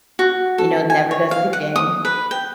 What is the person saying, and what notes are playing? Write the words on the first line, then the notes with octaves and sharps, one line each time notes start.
you know, never does it again.
F#4
A4
G#5
C#5
F5
F#5
D#6
B4
G5